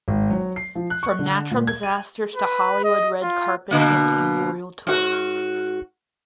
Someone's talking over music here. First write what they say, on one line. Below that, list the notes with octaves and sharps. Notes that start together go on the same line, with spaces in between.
From natural disasters to Hollywood red carpets and royal tours.
G#1
F#3
C7
F3
F#6
C#6
D3
A#2
G#6
D#7
B4
D#5
F4
B2 D3 A#3
G#2 F#4